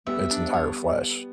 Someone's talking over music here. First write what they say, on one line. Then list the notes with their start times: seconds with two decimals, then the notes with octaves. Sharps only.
its entire flesh.
0.07 G3 B3 E5
0.30 D4
0.53 C#5